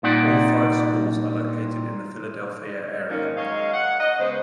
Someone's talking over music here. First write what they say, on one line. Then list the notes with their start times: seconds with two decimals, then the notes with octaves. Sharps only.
All five schools are located in the Philadelphia area.
0.03 A#2 G3 D#4 D5 F#5
3.09 G#2 D#3 A#3 C#4 D#4 A#4
3.36 F#3 G#3 C#5 D#5 F5
3.72 F#5
4.00 D#5
4.18 C#3 G#3 B3 B4 C5